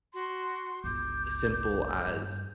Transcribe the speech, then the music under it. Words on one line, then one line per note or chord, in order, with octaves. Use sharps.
simple as
F#4 C6
G1 C#2 D6 G6
G2